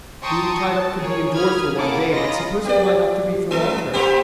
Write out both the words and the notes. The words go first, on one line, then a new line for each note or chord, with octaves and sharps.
Being tied up could be endured for one day, but suppose it might have to be for longer?
G5 A5 A#5 C6 C#6 D#6
A5
G#4 A#4 C#5
B5 D#6 F6 G#6
A#3 E4 G#4 A4 F#5 D6
C#4 F4 D#5 A#5 B5 A#6
G4 A#4 D5
A3 A4
A#3 C4 G4